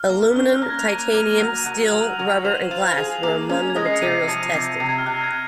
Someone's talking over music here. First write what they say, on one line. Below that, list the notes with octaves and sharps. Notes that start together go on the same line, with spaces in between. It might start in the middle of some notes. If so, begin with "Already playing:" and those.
Aluminum, titanium, steel, rubber and glass were among the materials tested.
Already playing: F6
A#3
C#4 F6
F#6
A#3 A#6
G#6
F7
A#3 D#7
A#3
F#3
F#3
F#7
F#3 F7
F#3
C5 F7
F#7
F4 F7
F7
G#4 F7
A#3
C#4
G#6
G#3 A#6
C7
C#7
C3 D#7
F3
C3 C7
C3
G#6
F6
C3 F#6
G#6